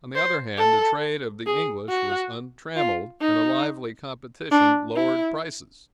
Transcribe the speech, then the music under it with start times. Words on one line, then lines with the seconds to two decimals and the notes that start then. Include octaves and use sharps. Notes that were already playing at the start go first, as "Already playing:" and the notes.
On the other hand, the trade of the English was untrammeled, and a lively competition lowered prices.
0.15 C5
0.58 A4
1.46 G#4
1.89 F#4
2.76 F4
3.21 D#4
4.51 D4
4.96 E4